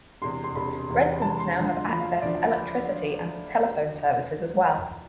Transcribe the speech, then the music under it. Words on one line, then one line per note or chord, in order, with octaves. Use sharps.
Residents now have access to electricity and telephone services as well.
E1 E2 C3 C6
C6
E1 E2 C3 B5
E1 E2 C3
E1 E2 C3 A5
C6
D2 D3 F3
D2 D3 F3 B5
F5
E5
D2 D3 F3 D5